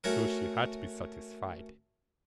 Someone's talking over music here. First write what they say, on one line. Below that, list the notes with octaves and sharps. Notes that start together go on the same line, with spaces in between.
So she had to be satisfied.
A3 C#4 F#4 A#4